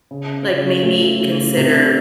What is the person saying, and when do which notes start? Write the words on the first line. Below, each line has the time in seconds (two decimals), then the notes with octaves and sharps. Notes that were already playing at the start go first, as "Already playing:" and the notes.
like maybe consider,
0.11 C#3
0.47 C#3
0.83 A3
1.20 C#3
1.57 C3